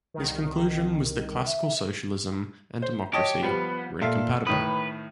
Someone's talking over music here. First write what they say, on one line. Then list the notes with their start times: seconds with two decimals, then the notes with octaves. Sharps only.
His conclusion was that classical socialism and democracy were incompatible.
0.14 C2 D#3
1.46 E5
2.82 C5
3.13 G4 C#5 D#5 A5
3.43 F3 G3 B3
4.02 A#2 A4 E5 F5
4.47 A2 D#3 B4 D#6